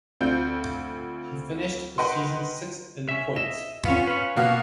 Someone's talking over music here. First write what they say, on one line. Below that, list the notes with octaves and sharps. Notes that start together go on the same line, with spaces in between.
He finished the season sixth in points.
D2 C4 F4 G6
A#4 B4 D#5 F#5 G5 C6
C#4 E5
D#5 E5 E7
B3 C#4 F4 C#5
B4 C#5
B2 A#3 F5 F#5